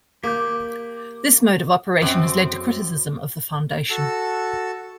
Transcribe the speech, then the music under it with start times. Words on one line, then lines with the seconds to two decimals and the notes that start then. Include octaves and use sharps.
This mode of operation has led to criticism of the foundation.
0.24 A#3 G4 D6 G6
2.02 F#2 C4
3.90 F#4 A4 A5 E6